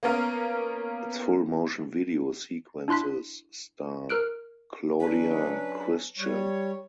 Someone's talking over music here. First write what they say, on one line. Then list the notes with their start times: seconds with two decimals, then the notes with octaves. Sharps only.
Its full motion video sequences star Claudia Christian.
0.03 A#3 B3 C#4 A#4 F5
2.88 D4 E4 C6 F#6 B6
4.09 A#4 F6 F#6 D7
5.00 F#3 C#4 D4 B4
6.18 G3 C#5